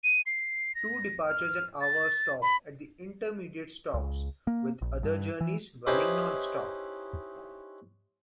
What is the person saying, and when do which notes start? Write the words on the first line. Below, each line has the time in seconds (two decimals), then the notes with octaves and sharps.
Two departures an hour stop at the intermediate stops, with other journeys running non-stop.
0.04 D#7
0.26 C7
0.75 A#6
1.27 F6
1.81 A6
2.42 B5
3.94 C#2
4.47 A#3
4.82 A#1
5.03 G2
5.41 E3
5.87 C#4 D#4 E4 G4 B4 C5